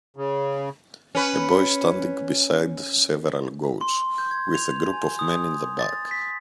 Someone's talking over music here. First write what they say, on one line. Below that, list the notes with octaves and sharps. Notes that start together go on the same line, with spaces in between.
A boy standing beside several goats, with a group of men in the back.
C#3
C#4 B4
C6
G6
G#6
F7
G#5
D#6
A6
B6